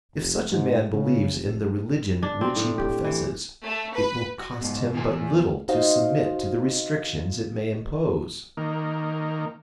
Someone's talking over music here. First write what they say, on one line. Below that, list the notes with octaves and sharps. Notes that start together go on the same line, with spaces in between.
If such a man believes in the religion which he professes, it will cost him but little to submit to the restrictions it may impose.
F1
G#2
C#3
F1
D4
C4
A2
G4
E3
A3
B4
F#4
G#2 B2
B2 D#3 B3 F4 A4 G#5
E2 G#4
D#4 F#4 C5 D#5 F5
D#3 A#3